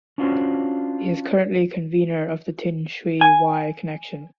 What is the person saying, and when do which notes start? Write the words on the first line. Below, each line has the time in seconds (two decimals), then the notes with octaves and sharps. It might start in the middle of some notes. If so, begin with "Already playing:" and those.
He is currently convenor of the Tin Shui Wai Connection.
0.18 C#4 D4 F4 F#4 C5 C#5
3.21 G#5